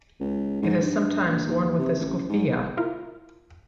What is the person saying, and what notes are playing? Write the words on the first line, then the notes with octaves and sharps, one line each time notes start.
It is sometimes worn with a skufia.
C#2
G#2
G2
A#1
D#2
C3
A1
G#2
E4 F4 A#4